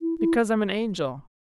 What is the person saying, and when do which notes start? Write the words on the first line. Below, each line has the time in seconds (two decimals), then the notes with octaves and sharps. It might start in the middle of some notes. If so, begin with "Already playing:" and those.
"Because I'm an angel."
0.02 E4
0.19 E4